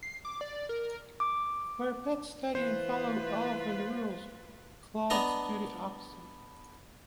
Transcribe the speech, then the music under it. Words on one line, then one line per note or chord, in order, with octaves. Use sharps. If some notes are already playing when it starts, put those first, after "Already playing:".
Where pets study and follow all of the rules, clods do the opposite.
C7
D6
D5
A#4
D6
E3 F4 B4 C5
B3 D4 D#5 A#5